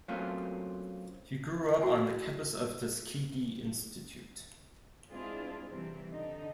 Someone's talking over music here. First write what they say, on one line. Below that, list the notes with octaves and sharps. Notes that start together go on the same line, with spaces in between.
He grew up on the campus of Tuskegee Institute.
F#3 A3 A#3 C4 C#4 F4
E4 F#4 G5 G#5
G#3 C4 D4 E4 F4 G#4
C3 E3 G3 C4
D3 D#4